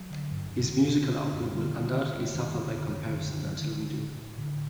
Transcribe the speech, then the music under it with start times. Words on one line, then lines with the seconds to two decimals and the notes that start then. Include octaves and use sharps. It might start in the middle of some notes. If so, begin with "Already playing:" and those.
His musical output will undoubtedly suffer by comparison until we do.
Already playing: F#3
0.10 D3
0.31 G2
0.52 D3
0.72 D3
0.93 D3
1.13 D3
1.33 F#2
1.53 D3 G3
1.67 D#3
1.74 D3
1.81 D#3
1.94 D3
2.14 G2
2.34 F#2 D#3
2.55 D3
2.75 F#2 D3
2.89 D#3
2.95 D3
3.03 D#3
3.16 F#2 D#3
3.30 D#3
3.36 D3
3.43 F#3
3.57 D3 D#3
3.78 D3
3.97 A2
4.18 A2
4.38 A2 D3